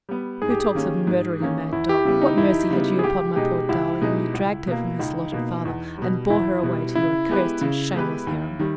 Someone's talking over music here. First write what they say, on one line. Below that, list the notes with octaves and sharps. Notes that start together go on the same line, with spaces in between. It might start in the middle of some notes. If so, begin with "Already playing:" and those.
'Who talks of murdering a mad dog? What mercy had you upon my poor darling, when you dragged her from her slaughtered father, and bore her away to your accursed and shameless harem.'
G3 B3
G#2 G#4
G4
G#4
D#3 A#3 C#4
G#2
D#3 A#3 C#4
E2 E4
G4
C#3 G3 B3 E4
D#4
E2 E4
C#3 G3 B3
G#4
C#2 G4
B2 G#3 D#4 G4
C#2 E4
B2 G#3 D#4
C#2
B2 A#3
C#2 D#4
B2 A#3
E2
B2 G3
E2 E4
B2 G3
C#3 E4
G#3 B3 G4 B4
C#3
G#3 B3 G4 B4
D#2
D#3 G3